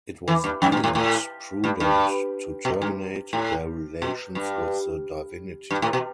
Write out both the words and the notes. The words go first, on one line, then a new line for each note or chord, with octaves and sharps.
It was deemed prudent to terminate their relations with the divinity.
E3
G2
F2
G2
A2
A2
G2
G2
B2
G2
A2
B2
G2
G2
A2
B2